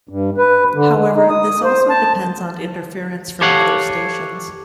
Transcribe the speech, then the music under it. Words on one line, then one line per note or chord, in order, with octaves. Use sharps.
However, this also depends on interference from other stations.
G2
B4
D3
G#3
D#4
D#6
C5
A5
G4 A4 C#5 F5 F#5